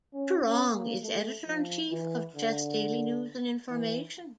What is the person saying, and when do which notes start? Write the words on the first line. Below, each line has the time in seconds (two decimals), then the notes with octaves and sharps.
Truong is Editor-in-Chief of "Chess Daily News and Information".
0.13 C#4
0.43 C#4
0.73 A#3
1.02 A3
1.47 F3
1.91 E3
2.36 D3
3.69 E3